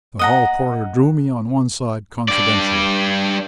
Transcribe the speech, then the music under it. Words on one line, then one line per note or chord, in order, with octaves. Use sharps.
The hall porter drew me on one side confidentially.
D#5 F#5 A#5
G2 D5